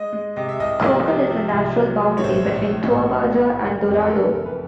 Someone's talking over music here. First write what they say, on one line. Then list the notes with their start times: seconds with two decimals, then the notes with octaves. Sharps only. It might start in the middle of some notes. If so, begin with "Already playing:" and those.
Cocal is the natural boundary between Toa Baja and Dorado.
Already playing: G#3 D#5
0.13 G#3
0.36 C3 D#5
0.49 E5
0.60 C2 D#5
0.83 F3 D5
1.07 C3
1.30 F3
1.53 C2
1.76 F#3
2.01 F#3
2.17 C#5
2.24 A#1 C5
2.47 A#1
2.71 A2
2.94 A#1
3.17 A2
3.40 A2
3.64 F#1 A#4
3.88 F2
4.00 A4
4.10 F2 A#4
4.22 B4
4.34 F#1 A#4
4.46 B4